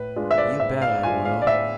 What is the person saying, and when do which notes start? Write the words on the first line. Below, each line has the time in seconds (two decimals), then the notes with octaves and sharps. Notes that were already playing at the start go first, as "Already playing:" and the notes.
You bet I will!
Already playing: A2 B4
0.16 G#3 D4 F4
0.31 E5
0.38 D5
0.60 A2 E5
0.82 F5
1.03 G#3 D4 F4 G#5
1.25 F5
1.42 D5
1.46 A2 E5